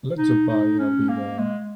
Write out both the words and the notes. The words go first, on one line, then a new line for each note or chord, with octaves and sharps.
Let the buyer beware.
D#4
D#4
C#4
A#3
G#3